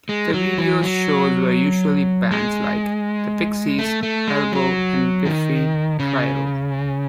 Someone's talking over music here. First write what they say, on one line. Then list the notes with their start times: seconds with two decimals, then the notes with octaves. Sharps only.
The videos shown were usually bands like The Pixies, Elbow and Biffy Clyro.
0.09 G#3
0.34 F#3
0.58 E3
0.83 F#3
2.31 G#3
3.78 A3
4.03 A3
4.28 G#3
4.52 F#3
5.25 D#3
5.99 C#3